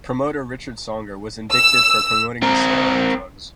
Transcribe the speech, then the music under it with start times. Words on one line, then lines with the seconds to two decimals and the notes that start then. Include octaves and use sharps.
Promoter Richard Songer was indicted for promoting the sale of drugs.
1.52 E6
2.42 C4 A#4